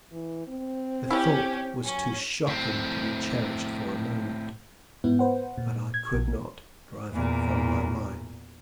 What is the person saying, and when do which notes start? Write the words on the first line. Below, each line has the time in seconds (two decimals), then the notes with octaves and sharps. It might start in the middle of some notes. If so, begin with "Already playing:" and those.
The thought was too shocking to be cherished for a moment; but I could not drive it from my mind.
0.12 E3
0.47 C4
1.11 C#4 E4 F4 G4 C#5
1.84 F#3 C#4
2.47 A2 C4
5.04 G#2 B3 E4
5.19 B4 C5 F#5
5.58 A#2
5.94 G#6
6.14 A#1
7.12 E2 A#2